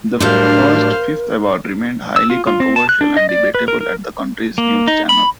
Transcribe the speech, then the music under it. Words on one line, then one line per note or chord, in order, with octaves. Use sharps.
The first fifth award remained highly controversial and debatable at the country's news channels.
A2 F#3 G3 D4 A#4 C5 F5
E6
F4
F4
C4
A5
F#6
D4
D#5
D5
B4
A#4
A#4
A#3
D#4
B5